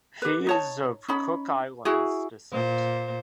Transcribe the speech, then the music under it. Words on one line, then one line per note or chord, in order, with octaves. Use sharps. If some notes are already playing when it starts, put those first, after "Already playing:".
He is of Cook Islands descent.
G4 B4
D#4 C#5 A5
C#4 D#4 B5
E4 F#4 G#4
A#2 C5